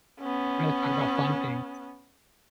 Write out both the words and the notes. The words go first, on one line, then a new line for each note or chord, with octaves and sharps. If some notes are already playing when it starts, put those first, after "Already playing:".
rather talk about fun things,
B3 C#4